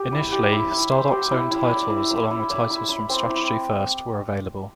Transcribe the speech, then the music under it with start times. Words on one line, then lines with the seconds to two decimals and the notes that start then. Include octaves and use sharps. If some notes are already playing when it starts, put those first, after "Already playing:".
Initially, Stardock's own titles along with titles from Strategy First were available.
Already playing: G4
0.12 E4
0.32 G4
0.52 E4
0.71 E4
0.91 C5
1.11 G4
1.31 E4
1.51 E4
1.71 D5
1.90 E4
2.11 E4
2.31 E4
2.50 D5
2.70 E4
2.89 E4
3.09 C4
3.29 E4